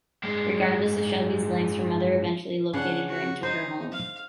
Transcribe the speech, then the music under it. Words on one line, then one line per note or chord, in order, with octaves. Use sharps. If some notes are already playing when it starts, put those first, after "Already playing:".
Regardless of Shelby's lengths, her mother eventually located her and took her home.
G2 G#3
C#3 D4 F5 F#5
F#4
D#4 C5
F5